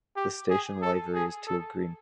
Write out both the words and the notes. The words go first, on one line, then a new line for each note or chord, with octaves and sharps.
The station livery is teal green.
G4
G#4
A4
G#4
A4